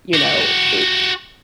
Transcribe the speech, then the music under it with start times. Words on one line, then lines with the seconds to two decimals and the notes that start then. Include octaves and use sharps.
you know, it
0.14 F#4 G4